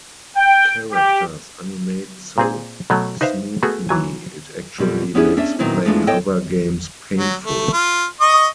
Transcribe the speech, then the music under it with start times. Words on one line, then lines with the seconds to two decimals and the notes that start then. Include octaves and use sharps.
Characters animate so smoothly it actually makes playing other games painful.
0.36 G5
0.91 G4
2.38 A#2 C4 G#4
2.90 B2 F#3 A3
3.21 D#4 B4 C5 E5 F5
3.63 A3 B3 F#4 G#4
3.89 E3 F#3 G#5
4.78 F#2 B2 G3
5.15 B3 C#4 D4 E4 G4 G#4
5.37 C#4 D4 E5
5.59 A#2 D#3 F#3 B3 C4 E4
5.85 E3 F3 G#3 A3 B3 D4
6.07 A4 C#5 D#5 G5
7.18 F#3
7.44 A3
7.73 F4
8.20 D#5 C#6 D#6